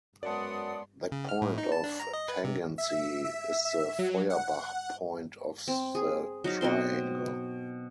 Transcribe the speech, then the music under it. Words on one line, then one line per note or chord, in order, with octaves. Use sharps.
That point of tangency is the Feuerbach point of the triangle.
F#2 G#3 B3 D5 F#5 A5 C6 D#6
C#3
F6
A2
D#4
A5
D4
A#5
D#5
B4
C3
E5
E5
E5
F#3
F#5
C4
G#4
F#3 D#4 F5
B2 F#3 C4 C6